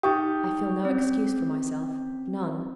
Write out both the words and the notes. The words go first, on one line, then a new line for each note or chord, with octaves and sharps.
I feel no excuse for myself, none.
D#4 G4 C#6 D#6
C4 C#4